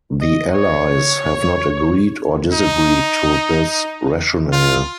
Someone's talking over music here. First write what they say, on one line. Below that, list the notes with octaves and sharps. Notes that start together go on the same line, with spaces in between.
The Allies have not agreed or disagreed to this rationale.
D#5
C#5
D#4
F4